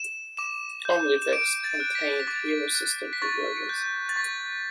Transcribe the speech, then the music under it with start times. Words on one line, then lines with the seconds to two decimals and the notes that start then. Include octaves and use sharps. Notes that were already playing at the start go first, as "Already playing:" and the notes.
"Omlevex" contained Hero System conversions.
Already playing: E7
0.37 D6 E7
0.85 G6
1.22 E7
1.33 D6 D7
1.64 A6
1.80 F#6
1.95 B6
2.20 B6
2.27 D6 A6
2.75 F#6
3.13 B6
3.22 C#6 A6
3.69 G6
4.09 A6
4.16 C#6 B6